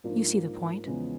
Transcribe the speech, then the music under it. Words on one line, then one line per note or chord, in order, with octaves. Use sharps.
You see the point.
G#2 F3 A#3 D4 F4
E2 C#3 F3 G#3 B3